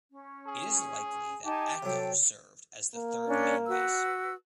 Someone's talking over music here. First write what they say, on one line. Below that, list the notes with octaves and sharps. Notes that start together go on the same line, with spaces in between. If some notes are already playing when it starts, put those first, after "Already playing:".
It is likely that Acco served as the third main base.
C#4
G#4
D#4 G4 G#5 A5
C3 F#3 A4 G5
A#3
C#4 D4 D5
F#4 B4 E6